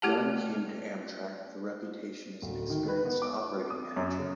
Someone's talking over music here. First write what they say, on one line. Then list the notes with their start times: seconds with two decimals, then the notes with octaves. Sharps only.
Gunn came to Amtrak with a reputation as an experienced operating manager.
0.02 A3 E4 G4 F#5 A5
2.42 D1
2.70 D#3
2.88 B4
3.05 B3
3.22 D6
3.70 D#6
3.96 F#2
4.19 C#3